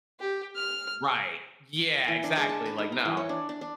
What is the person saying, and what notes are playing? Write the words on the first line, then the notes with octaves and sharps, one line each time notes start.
right, yeah, exactly, like, "No."
G4
F6
E3
D4
G#3
A5
B4
D#4
A#5
E3
C#5
D4
D4
D4